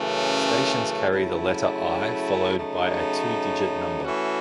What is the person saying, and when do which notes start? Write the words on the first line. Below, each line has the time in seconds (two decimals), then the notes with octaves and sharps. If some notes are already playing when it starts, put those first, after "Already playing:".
Stations carry the letter "I" followed by a two-digit number.
Already playing: F#2 C#3 E3 A3
1.10 C#3 F#3 A3 E4
2.57 C#3 F#3 A3 D#4
4.04 E3 A3 C#4 F#4